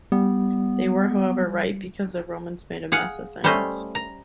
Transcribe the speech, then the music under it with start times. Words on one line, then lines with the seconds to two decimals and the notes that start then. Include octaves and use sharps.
They were however right, because the Romans made a mess of things.
0.12 G3 B3
2.92 G#4 F5 F#5
3.44 G3 A3 C#4 C5 D#5 E5
3.95 A#5